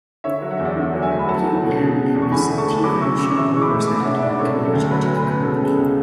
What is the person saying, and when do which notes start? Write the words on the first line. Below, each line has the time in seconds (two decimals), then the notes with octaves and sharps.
Few M and StL shareholders had a direct connection to the company.
0.24 D3 C#5 E5
0.42 F#3
0.51 F#5
0.58 E2 E5
0.65 D5 F#5
0.76 D3
0.94 F#3
1.02 E5 G#5
1.11 D2
1.19 B5
1.28 F#3 F#5 A5
1.46 A3
1.63 B2
1.80 C#3
1.98 G#3
2.15 E2
2.22 C#6
2.32 D3 G#5 B5
2.50 A3
2.58 A5 C#6
2.66 D2
2.84 F#3 B5 D6
3.01 C#4 C#6 E6
3.18 C#3 C#6 E6
3.35 E3 C#6 E6
3.53 G#3 C#6
3.62 B5 D6
3.70 A2
3.87 G#3 B5 D6
4.00 F#5
4.05 D4 C#5 E5
4.16 E5
4.22 G#2 B4 D5
4.39 C#3 A4 C#5
4.56 F#3
4.65 A4
4.73 D2
4.91 F#3 B4
5.08 C#4
5.17 B4
5.26 B2
5.43 C#3 A4
5.60 G#3
5.77 C#2